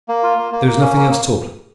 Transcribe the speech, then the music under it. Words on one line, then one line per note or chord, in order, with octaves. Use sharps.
There is nothing else taught.
A#3
F4
A#3
A#3
A#3
C#4
A#3
A#3